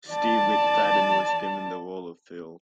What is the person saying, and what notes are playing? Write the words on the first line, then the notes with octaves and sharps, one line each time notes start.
Steve McFadden was given the role of Phil.
D5 A5